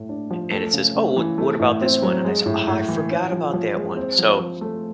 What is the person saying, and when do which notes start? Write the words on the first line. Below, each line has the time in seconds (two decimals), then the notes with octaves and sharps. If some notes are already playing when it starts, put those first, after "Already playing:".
and it says, "Oh, wha what about this one?" and I said, "Oh, I forgot about that one." So,
Already playing: A2 A3
0.09 D4
0.31 F3
0.51 A3
0.73 C#3
0.95 C#3
1.16 E3
1.38 A3
1.60 A2
1.81 C4
2.03 F#3
2.24 G#3
2.46 A2
2.67 A2
2.88 E3
3.11 C#4
3.32 F3
3.53 F3
3.75 G#3
3.97 C4
4.18 F3
4.40 F3
4.61 A3